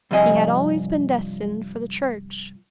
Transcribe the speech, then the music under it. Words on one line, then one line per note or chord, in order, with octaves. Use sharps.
He had always been destined for the church.
G2 C3 F3 D#5 G#5